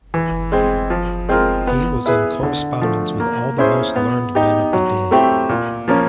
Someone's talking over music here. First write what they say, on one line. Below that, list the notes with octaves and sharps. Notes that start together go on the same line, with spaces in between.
He was in correspondence with all the most learned men of the day.
E3
G#3 C4
F3
G#3 C4 F4 A#4
B3
E4 G#4 B4
D3
F3 A3
A#3
C#4 E4 G#4 C5
B3
D#4 G4
F#3
A3 C4 E4 G4
A#2
F3 A#3 C#4